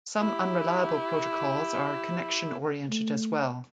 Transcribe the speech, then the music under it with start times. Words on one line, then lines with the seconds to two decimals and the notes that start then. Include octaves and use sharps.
Some unreliable protocols are connection-oriented as well.
0.19 E4 G4
2.90 A3